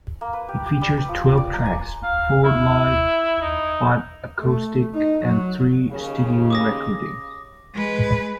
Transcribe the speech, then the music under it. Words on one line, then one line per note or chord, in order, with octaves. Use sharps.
It features twelve tracks: four live, five acoustic, and three studio recordings.
A#3
B4
G4
G4
G3
B4
F3
D5
A#5
G#5
F5
E4
D#4
A3
D#4
F#3
D#2 C#3
D6 D#6 A#6
G#3 B4